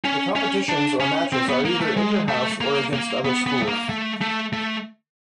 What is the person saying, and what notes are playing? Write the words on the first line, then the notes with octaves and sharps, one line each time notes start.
The competitions or matches are either 'interhouse' or against other schools.
C#4
C#4
D4
C#4
C4
B3
A#3
A3
G#3
A3
A#3
A#3
B3
B3
A3
A#3
A3
A3
A3